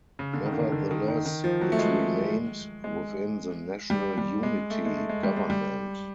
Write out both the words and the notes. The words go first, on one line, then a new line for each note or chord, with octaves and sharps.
Nevertheless, it remained within the national unity government.
C#3
D3
D#3
D3
D#3
D3
D#3
D#3
D#3
F3
F#3
A3
G#3
G#3
G3
G3
G#3
A3
G#3
A3
G#3
G3
G#3
G3